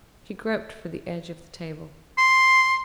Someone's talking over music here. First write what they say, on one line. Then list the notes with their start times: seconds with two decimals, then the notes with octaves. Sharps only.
She groped for the edge of the table.
2.18 C6